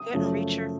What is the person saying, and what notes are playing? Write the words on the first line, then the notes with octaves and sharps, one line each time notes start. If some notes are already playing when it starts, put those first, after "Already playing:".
Didn't reach her.
Already playing: D#6
F#2 C#3 F3 A3